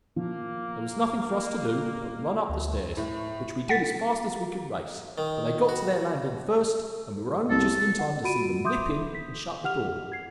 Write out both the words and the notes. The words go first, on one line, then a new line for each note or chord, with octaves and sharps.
There was nothing for us to do but run up the stairs, which we did as fast as we could race; but they got to their landing first, and we were only just in time to see them nip in and shut the door.
F3 A#3
D2
A2
F#5 A6 B6
D#3
F#4
C2 A4
F#5
F4 F#4 B5 D7 D#7
E5 C6 D6 D#6 G6
B6
G4 F#5 F6 F7
G#6 C7